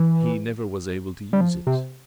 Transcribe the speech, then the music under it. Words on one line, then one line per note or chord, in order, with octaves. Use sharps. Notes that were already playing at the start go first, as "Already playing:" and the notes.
He never was able to use it.
Already playing: E3
G3
F3
C3